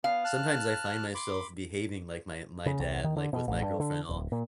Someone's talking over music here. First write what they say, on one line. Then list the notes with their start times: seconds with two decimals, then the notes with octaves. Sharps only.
sometimes I find myself behaving like my my dad, like, with my girlfriend, I'll
0.04 B3 F5
0.24 A5 F6 F#6
1.15 B5 C6 D6
2.66 C#3
2.80 C2
3.04 D#3
3.17 D3
3.33 B2
3.48 A1
3.62 G2
3.80 D3
4.09 D1
4.32 A#2